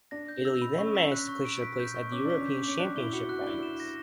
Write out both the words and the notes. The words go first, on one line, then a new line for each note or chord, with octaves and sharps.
Italy then managed to clinch their place at the European Championship finals.
D4 A#6
G6
E6
B5
C#4 C#6
B6
F#6
C#6
D7
B6
G6
C#6
C#4 D6
D4 B6
C#4
G6
C#4 D6
D4 F#6
E4 G7
F#4 C#7
F#4 F#6
D4
E4 G7
E7
A#6